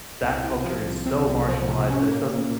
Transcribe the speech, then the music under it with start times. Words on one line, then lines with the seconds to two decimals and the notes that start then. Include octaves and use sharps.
that culture is so marginalized that it doesn't
0.23 C2
0.43 C2
0.65 F3
0.86 C2
1.06 C3
1.28 C2
1.49 F3
1.68 C3
1.90 C#4
2.11 A#3
2.32 A#2